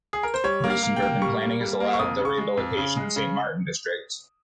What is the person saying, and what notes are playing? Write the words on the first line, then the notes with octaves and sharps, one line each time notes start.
Recent urban planning has allowed the rehabilitation of Saint-Martin district.
G#4
A#4
C5
G3 C#5
A#3
F5
A#3
G5
A#3
G3 C#6
A#3
G3
A#3
C#6
F2 D#6
C#3
C#6
G#3
F2
C#3
G#3
C#3